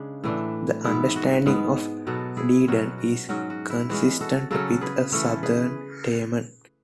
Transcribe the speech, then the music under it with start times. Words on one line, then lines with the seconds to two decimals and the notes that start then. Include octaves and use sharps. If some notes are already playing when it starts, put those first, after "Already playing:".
This understanding of Dedan is consistent with a southern Teman.
Already playing: C#3 G#3 D4
0.24 A2 E3 A3 D4
0.84 G#2 E3 B3 E4
1.16 F#4
1.46 G#2 G#3 B3
2.07 B2 F#3 B3 F#4 A4
2.37 E4 G#4
2.68 B2 F#3 C#4 F#4
2.98 F#4
3.29 G#2 F#3 C#4 F#4
3.50 F#4
3.70 E4
3.89 E3 G#3 C#4 F#4
4.21 F#4 A4
4.51 C#3 F#3 C#4 F#4 A4
4.81 G#4 B4
5.12 E3 A3 C#4 A4 C#5
5.43 G#4 B4